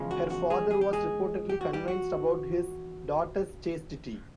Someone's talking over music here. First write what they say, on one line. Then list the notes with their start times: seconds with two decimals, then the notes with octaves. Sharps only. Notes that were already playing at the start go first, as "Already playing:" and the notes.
Her father was reportedly convinced about his daughter's chastity.
Already playing: E2 C#3 F3 G#3
0.11 F#4
0.30 F#4
0.50 G#3 G#4
0.71 G#4
0.81 G4
0.93 G#3 G#4
1.49 G4
1.61 F#4
1.73 G3 G4
1.88 F#4